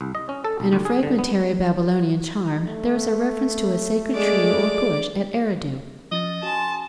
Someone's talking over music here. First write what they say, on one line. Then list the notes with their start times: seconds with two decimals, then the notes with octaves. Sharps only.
In a fragmentary Babylonian charm there is a reference to a sacred tree or bush at Eridu.
0.01 C2
0.15 D#5
0.29 C#4
0.44 A4
0.60 B1
0.73 D2
0.85 G#4
1.03 D3
1.19 B3
2.66 A3
4.14 G#3 D5 D6
6.12 F3 C#4 D#5 A6
6.43 C#4 F#4 A5 C6